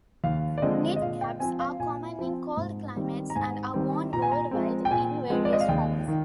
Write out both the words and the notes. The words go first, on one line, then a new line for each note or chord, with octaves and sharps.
Knit caps are common in cold climates, and are worn worldwide in various forms.
D#2 F5
D5
D3 F3 G#3 C4 D#5
D#5
A#2 F5
G5
F3 C4 G#5
F5
A#2 G#5
F3 C4
G#2
D#3 G3 C4
A#5
G#2 G#5
D#3 G3 C4
A#2 A#5
G#5
A#5
F3 G#3 C4
G5
A#2 G#5
F3 G#3 C4
D5
D#5
F5
D#2 G5
D#3